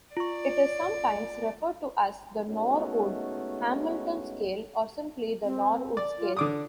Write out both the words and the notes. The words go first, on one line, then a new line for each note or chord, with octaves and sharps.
It is sometimes referred to as the Norwood-Hamilton scale or simply the Norwood scale.
F4 D5 C#6
G#3 A3 B3 C#4 D#4 F#4
C4
D5
F4
D3 D5 D6 D#6